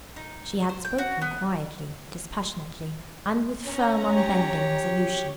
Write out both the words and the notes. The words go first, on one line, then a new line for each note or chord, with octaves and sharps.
She had spoken quietly, dispassionately, and with firm, unbending resolution.
D#4
C5
G5
F#4
B3
C#4 A#5
G4 C#5